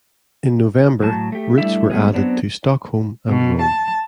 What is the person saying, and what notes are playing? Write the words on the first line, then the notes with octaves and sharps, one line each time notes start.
In November routes were added to Stockholm and Rome.
A2 F#3 A5
A3 G4
G3 A3 D4 E4 E5
G3 A3 B3 F#4 G#4 C#5
F#3 B3 C4 D4 C#5
B2
A5